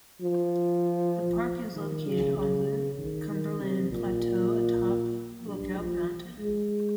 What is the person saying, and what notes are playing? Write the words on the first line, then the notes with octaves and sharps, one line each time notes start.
The park is located on the Cumberland Plateau, atop Lookout Mountain.
F3
D#3
C#3
C#3
D#3
D#3
C3
A#2
G2
F3
G#3